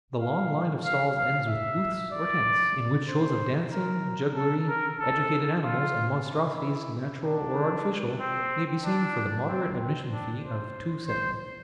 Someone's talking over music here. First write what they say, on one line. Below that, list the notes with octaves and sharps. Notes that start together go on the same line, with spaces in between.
The long line of stalls ends with booths, or tents, in which shows of dancing, jugglery, educated animals, and monstrosities, natural or artificial, may be seen for the moderate admission fee of two sen.
F5
F5
F5
E5
D5
C5
A#4
A4
A#4
A4
F4
E4
D4
C4
D4
C4
C4
D4
C5
C5